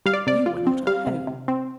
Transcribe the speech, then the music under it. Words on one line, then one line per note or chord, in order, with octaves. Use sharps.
You were not at home.
G3 F5
D5
C3 D5
F4
C4
G3 F5
C3
C3
C4